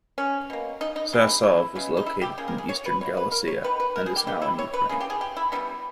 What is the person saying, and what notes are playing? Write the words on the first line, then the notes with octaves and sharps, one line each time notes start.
Sasov was located in Eastern Galicia, and is now in Ukraine.
C#4
B2 A#3
D#4
D#4
B2 G#3 B3
D#4
E4
C#3 G#3 B3
D#4
E4
G4
C#3 G3 A#3 G#4
A#4
G#4
C#5
B4
B2 A#3 C#5
B4
A#4
C#5
D#3 G3 B3 B4
B4
A#4
G#4
G4
E3 G#3 B3 G4
E4
C#5
B4
C#3 E3 A#3 G#4
G4
G#4
G4
E4
E3 G3 B3 D#4